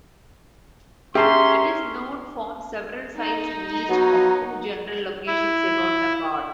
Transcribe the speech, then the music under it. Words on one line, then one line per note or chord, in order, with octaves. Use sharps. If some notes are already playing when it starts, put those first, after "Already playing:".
It is known from several sites in each of two general locations about apart.
C#4 G4 G#4 E5 A5 A#5 C6
D#4
F#3 B3 F#4
E4